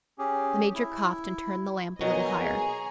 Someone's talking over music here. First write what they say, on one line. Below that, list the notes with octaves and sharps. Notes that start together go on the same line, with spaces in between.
The Major coughed and turned the lamp a little higher.
C#4 G4 G#4
E4
B2 D#3 F#3 D#5 G#5 A#5 C#6
G#4